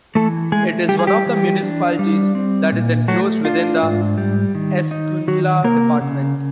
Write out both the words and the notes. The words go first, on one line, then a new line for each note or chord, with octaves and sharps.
It is one of the municipalities that is enclosed within the Escuintla Department.
E3 A3 A4
G#3 A3 G#4
G3 G4
G#4
G3 G4
E3
D4
G3
C4
A#2
F#3 A3 F#4
D4 F4
G#2
G3
D#3
D#4
D#3 F#3 F#4
C3 A#3 A#4
C#3